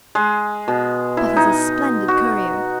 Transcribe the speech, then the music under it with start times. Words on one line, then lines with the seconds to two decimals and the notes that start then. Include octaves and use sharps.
But he's a splendid courier.
0.15 G#3
0.68 B2
1.17 E4
1.37 D#4
2.08 F#4